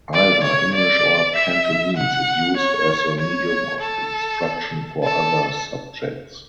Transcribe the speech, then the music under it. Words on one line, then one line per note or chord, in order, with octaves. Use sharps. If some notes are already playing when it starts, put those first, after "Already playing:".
Either English or Cantonese is used as the medium of instruction for other subjects.
D5
C#5
D5
E5
F#5
C#5
C#5
A4
A4